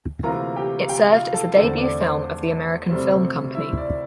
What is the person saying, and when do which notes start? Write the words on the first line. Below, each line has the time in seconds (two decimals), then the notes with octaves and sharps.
It served as the debut film of The American Film Company.
0.23 D2 C3 E3 A#3 F4 A#4 A#5
0.56 G4 G5
0.86 F5
0.89 G4 G5
1.12 F4 F5
1.34 A4 A5
1.56 E2 D3 A3 C4 A4 A5
1.78 D5 D6
2.00 C5 C6
2.89 D2 C3 G3 C4
3.55 E4 E5
3.77 D5